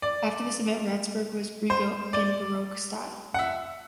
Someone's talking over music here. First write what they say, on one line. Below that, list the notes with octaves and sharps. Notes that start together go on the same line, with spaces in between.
After this event Ratzeburg was rebuilt in baroque style.
D5
C5
D5
F#5
E5